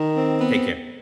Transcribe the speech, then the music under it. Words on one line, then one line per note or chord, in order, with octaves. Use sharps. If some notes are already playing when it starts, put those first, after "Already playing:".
Take care.
Already playing: D#3
C4
B3